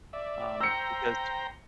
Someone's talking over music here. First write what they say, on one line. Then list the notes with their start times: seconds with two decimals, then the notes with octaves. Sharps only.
um, because
0.13 D5 E5
0.60 C5 G5 A#5 E6 C#7